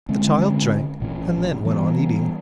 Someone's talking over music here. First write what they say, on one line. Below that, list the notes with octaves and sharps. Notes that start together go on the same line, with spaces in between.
The child drank, and then went on eating.
D3 G#3 C4 C#4
A1 A#2 C#4
E3 G3 B3